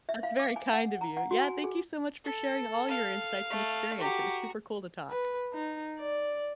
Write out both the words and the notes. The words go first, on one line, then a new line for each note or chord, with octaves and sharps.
that's very kind of you. Yeah, thank you so much for sharing all your insights and experience; it was super cool to talk.
E5
F5
D6
G#5
F#5
A#5
F#5
F#4
G#5
G#4
A4
F5
A3
F#4 G4 A#5
B4
D#4
D5